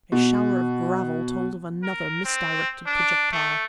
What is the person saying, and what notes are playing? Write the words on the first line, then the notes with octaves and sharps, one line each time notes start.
A shower of gravel told of another misdirected projectile.
B2
A#4
C4
D4
A3